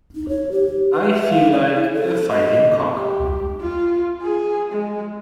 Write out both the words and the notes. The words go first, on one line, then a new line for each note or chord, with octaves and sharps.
I feel like a fighting cock.
D#4
C#5
G4
B4
E5
F5
D5
E4
A4
D#5
G4
F4
G#4
G#3